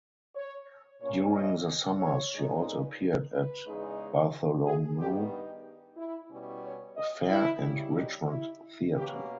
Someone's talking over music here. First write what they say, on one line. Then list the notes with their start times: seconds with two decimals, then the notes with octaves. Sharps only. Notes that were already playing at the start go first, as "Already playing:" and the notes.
During the summers she also appeared at Bartholomew Fair and Richmond Theatre.
0.34 C#5
1.00 A#2 A#3 C#4 C#5
1.33 D#5
2.00 C#5
2.32 A#2 G#3 D#4
2.65 B4
3.32 B4
3.65 E2 C#3 G#3 D#4
4.64 G#4
4.97 G2 D#3 G3 B3 G4
5.31 D#4
5.96 E4
6.29 B2 G3 C#4
6.62 C#5
6.96 D#5
7.29 E4
7.62 D#2 C#3 G3
7.95 D#4
8.28 E4
8.94 B2 A#3 C#4 G4